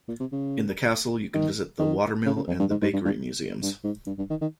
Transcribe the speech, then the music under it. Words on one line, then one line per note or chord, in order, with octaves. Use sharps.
In the castle, you can visit the Watermill and the Bakery museums.
A#2
C3
C#3
D#3
D#3
C#3
C#3
F2
G2
G#2
G#2
G2
G2
G2
G#2
G2
G2
D#3
D#3